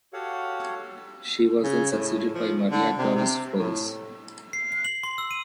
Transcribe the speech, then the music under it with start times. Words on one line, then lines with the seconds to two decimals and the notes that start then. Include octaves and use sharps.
She was then succeeded by Maria Torres-Flores.
0.13 F#4 G4 A4 C#5 F5 F#5
1.64 C#3
1.92 A2
2.35 F3
2.71 D3
2.98 C3
3.16 C3
3.58 A2
4.53 C7
4.72 C7
4.85 F#7
5.03 C6
5.18 E6
5.31 D#7